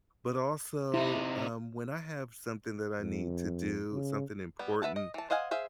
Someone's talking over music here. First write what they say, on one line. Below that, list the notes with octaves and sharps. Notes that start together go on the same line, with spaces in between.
But also, um, when I have something that I need to do, something important,
C3 D#4 E4
F2
C#3
G3 B3
B4 E5 F#5 A5
D#5
E3 A5
C5 D#5 F5 F#5 G#5
G#4 C5 E5 F5